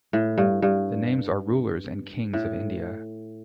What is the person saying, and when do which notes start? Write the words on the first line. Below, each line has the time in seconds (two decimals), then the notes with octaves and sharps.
The names are rulers and kings of India.
0.13 A2
0.38 G2
0.62 G2
2.33 A2